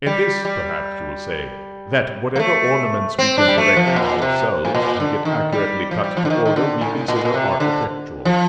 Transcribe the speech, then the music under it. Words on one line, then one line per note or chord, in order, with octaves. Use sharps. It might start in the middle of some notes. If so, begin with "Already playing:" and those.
In this, perhaps, you will say; that whatever ornaments we can direct ourselves, and get accurately cut to order, we consider architectural.
G3
G3
A#3
A3
C4
D4
G3
A3
F3
C3
A#2
C3
A2
A#2
D3
D#3
G3
F3
G3
F3
D3
D#3
D#3
D3
A2
A#2
A#2
C3
D3
F3